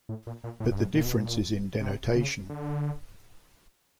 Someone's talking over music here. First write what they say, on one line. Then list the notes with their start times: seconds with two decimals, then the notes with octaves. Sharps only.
But the difference is in denotation.
0.09 A2
0.27 A#2
0.44 A#2
0.60 A2
0.71 G2
0.78 G#2
0.94 A#2
1.05 B2
1.16 A#2
1.81 C3
2.15 C#3
2.49 D3